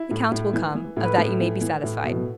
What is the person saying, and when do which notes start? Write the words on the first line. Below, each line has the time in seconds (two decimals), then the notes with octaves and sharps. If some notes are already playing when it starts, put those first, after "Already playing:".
"The count will come, of that you may be satisfied."
Already playing: E4
0.11 A2
0.32 A2
0.53 E3
0.75 E3
0.97 A2
1.04 B4
1.18 A2
1.40 E3
1.61 E3
1.83 A2
2.04 B2